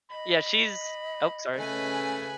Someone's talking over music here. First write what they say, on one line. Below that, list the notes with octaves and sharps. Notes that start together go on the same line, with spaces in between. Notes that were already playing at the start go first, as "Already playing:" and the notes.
Yeah, she's ope, sorry.
D#5 B5
C#3 A3 B4 G#5